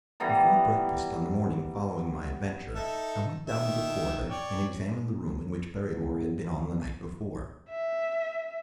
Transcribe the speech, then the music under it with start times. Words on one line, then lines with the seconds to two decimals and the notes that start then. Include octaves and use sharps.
Before breakfast on the morning following my adventure I went down the corridor and examined the room in which Barrymore had been on the night before.
0.20 E3 G3 B3 A#5
2.74 D#4 A4 E5
3.47 D#3 E5
4.29 C#5 D5 G5
5.85 E2
7.69 E5